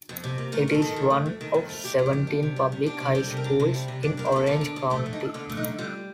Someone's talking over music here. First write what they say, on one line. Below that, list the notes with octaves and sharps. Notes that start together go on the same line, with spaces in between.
It is one of seventeen public high schools in Orange County.
F2
C3
A#3
A3 A#4
F2 A#4
A4
D#3
F2
A3
F2
D#3
F2
A3 F4
F2 G4
D#3 F4
G4
F2
D4
C3
G3
C3
D4
C3
A4
G3 G4
C3 A4
A#4
D4
C3 C5
G3
C3
D4 D5
D3 A#4
C5
A3 A4
D3 A#4
D4
D3
A3 G4
D3
D#4
D4
D3 F4
A3
D#4
D3
G3 F4